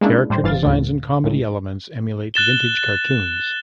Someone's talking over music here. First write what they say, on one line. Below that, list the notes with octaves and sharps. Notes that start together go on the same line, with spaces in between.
Character designs and comedy elements emulate vintage cartoons.
G#3 A#3 C#4 D4 E4
A2 G3 C5
G1 G2 E3 F5 A6
D2 A2 D3
C#2 A2
F#6 A6 E7 G7